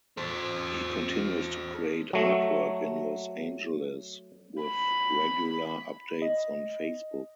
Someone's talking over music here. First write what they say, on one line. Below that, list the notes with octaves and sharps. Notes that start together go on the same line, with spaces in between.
He continues to create artwork in Los Angeles with regular updates on Facebook.
A4 C5
F#3 A3
B5
D#5